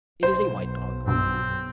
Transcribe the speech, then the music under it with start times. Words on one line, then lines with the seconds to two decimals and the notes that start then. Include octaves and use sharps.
It is a white dog.
0.23 B1 C5
1.07 G2 B2 C4